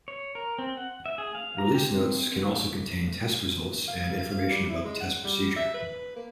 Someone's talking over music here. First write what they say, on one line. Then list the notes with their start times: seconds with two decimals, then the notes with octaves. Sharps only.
Release notes can also contain test results and information about the test procedure.
0.08 C#5
0.35 A#4
0.59 C4
0.77 F#5
1.06 E5
1.18 G#4
1.35 F5
1.58 A#5
1.74 G4
1.88 C4
3.88 F5
4.18 F5
4.31 F5
4.50 G3
4.70 E4
4.85 G#3
5.00 F#5
5.24 G3
5.56 E5
5.74 B4
6.16 A#3